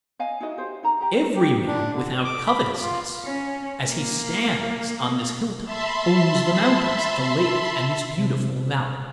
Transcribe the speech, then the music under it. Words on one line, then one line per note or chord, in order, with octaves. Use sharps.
Every man without covetousness, as he stands on this hilltop, owns the mountains, the lake, and this beautiful valley.
D#5 F5 G#5
D#4 E4 F#4 D#5
G4 C5
D#4 C5 A#5
G4 A#5
G4
D4
D3
D6
B5
F4
C#4
A#3
E5 A5 B5 C6
C3